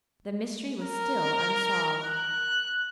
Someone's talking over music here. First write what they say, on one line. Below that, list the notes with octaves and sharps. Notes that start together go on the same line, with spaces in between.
The mystery was still unsolved.
A#4
F#6